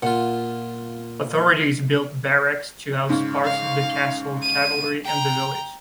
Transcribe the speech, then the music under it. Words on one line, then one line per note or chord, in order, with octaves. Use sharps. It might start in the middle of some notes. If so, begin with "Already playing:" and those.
Authorities built barracks to house parts of the castle cavalry in the village.
A#2 F4 F#5
G#2 C#3
F5
D#7
G5 A#5